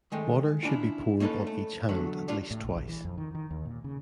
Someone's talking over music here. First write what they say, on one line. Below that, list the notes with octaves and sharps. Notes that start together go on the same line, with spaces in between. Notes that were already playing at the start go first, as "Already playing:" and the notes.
Water should be poured on each hand at least twice.
D#3 G#3 A3
C#4 D4 E4 F4
A#3 C#4 D#4 A4 B4
A3
E2 D3 F#3 A3
G3 D4 F4
A2
B1
A#1
E3
F2
D#3
D#3
D#2
A#2
C#3